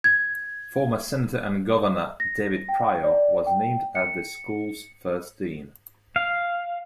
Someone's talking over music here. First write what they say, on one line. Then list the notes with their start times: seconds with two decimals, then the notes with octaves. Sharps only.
Former Senator and Governor David Pryor was named as the school's first dean.
0.04 G#6
2.20 A#6
2.69 G5
3.04 D5
3.46 G5
3.95 C#7
6.16 F5